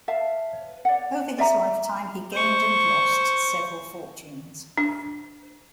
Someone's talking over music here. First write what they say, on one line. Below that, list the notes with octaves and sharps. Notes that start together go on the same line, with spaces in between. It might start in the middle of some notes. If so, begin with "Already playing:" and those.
Over his lifetime he gained and lost several fortunes.
E5 F5 A5
D5 F#5
D5 E5 A#5
C5 C#6
D4